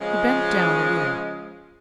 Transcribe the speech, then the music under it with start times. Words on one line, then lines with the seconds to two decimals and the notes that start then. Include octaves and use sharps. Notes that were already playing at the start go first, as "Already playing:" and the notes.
He bent down a little.
0.01 C#3 F3 G#3